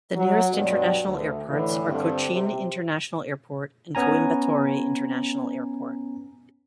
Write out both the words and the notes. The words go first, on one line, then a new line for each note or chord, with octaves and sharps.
The nearest international airports are Cochin International Airport and Coimbatore International Airport.
F#3
G2 B2 F#3 D5
D2
A2 D3 E3
G2 D3 C4
C3
B3 C#4 G#5 A#5